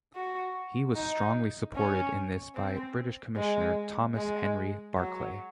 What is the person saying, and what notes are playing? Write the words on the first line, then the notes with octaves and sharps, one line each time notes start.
He was strongly supported in this by British Commissioner Thomas Henry Barclay.
F#4
D#4
C#4
C4
G#3
G#3
F#3